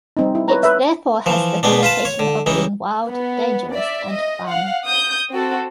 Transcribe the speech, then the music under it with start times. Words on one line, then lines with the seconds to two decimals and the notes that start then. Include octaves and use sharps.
It therefore has the connotation of being wild, dangerous, and fun.
0.17 G3 C4 D#4
0.35 E4
0.48 B4 C#5 A#5
0.63 B4 E5
1.26 E3 F3
1.63 B2 G#3 B3 D4
1.83 F4 B4 A5
2.05 C#5
2.19 D3
2.46 C#2 E3 D#4
3.07 B3
3.73 D5 E5
4.11 D#5
4.47 F5 F#5
4.84 D#6 G6
5.31 C4 F#4 A4